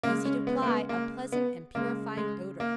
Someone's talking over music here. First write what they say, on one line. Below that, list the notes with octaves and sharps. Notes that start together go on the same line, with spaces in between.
Easy to apply, a pleasant and purifying odor.
C#3 G#3 A#3
C#4
B3
A#3
B3
A#3
B3
C#3 G#3 A#3
G#3
A#3